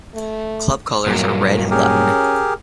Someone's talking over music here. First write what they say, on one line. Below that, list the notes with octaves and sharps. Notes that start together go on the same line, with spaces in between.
Club colours are red and black.
A3
G2 A#2 F#3 A#3
C#4 G4 G#4 A#4